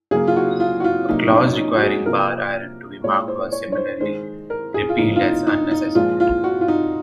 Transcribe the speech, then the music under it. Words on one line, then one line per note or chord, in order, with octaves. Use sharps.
A clause requiring bar iron to be marked was similarly repealed as unnecessary.
C#3 F#3 A#3 G#4
F4
F#4
F4
F#4
F4
C3 F#3 A#3 D#4
D#4
C#4
D#4
F#4
G#4
C3 F3 A#3 A#4
A#2 G#3 C#5
C5
C#5
C#5
C5
D#3 G#3 C5
A#4
G#4
F4
C#3 F3 A#3 D#4
F4
D#4
D#4
D#4
A#2 F3 G#3 F4
F4
F#4
F4
D#4